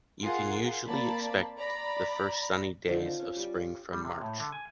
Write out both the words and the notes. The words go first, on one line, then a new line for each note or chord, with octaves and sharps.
You can usually expect the first sunny days of spring from March.
F4 G#4 A#4 F5 F#5 C6
A#3 C4 D5 A5 B5
D5 A#5 B5
D3 D#3 F3 C4
C4 F4
C#4
G3 G4
F4
G3
C3
A2
D3
G#5